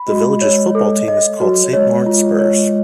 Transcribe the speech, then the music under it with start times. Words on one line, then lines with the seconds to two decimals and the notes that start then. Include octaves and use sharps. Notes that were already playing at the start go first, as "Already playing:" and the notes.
The village's football team is called Saint Lawrence Spurs.
Already playing: B5
0.09 G#3 F#4
0.41 C#5
0.75 A4
1.08 D#5
1.40 F#3 F#4
1.73 G#3 C#5
2.06 F4
2.39 C#5